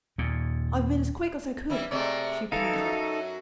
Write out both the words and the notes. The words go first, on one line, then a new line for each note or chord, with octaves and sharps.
"I have been as quick as I could," she panted.
D#2 A#2
E3 G3 E4
C3 G#3 A3 D5
E3 D#4 A4 F5
F#2 F#3